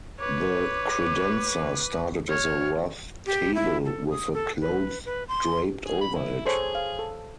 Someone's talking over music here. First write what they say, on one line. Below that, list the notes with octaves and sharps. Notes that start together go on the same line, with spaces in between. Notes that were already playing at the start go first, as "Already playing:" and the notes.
The credenza started as a rough table with a cloth draped over it.
B4 C#5 D6
C#5 F6
G4
E4
A4
D#6
A4
B4
B4
C6
G#4
B5
E4
G#4 A4 C5 C#5
F5
A4